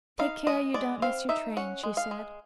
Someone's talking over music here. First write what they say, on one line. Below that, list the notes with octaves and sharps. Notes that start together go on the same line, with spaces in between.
"Take care you don't miss your train," she said.
D#4 F5
G#3 D#5
G#3 D5
C4 F5
D#4 E5
C#4 F#5
G#3
F5
G#3